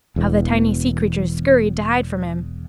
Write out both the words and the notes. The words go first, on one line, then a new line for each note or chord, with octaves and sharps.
How the tiny sea creatures scurried to hide from him.
E1 E2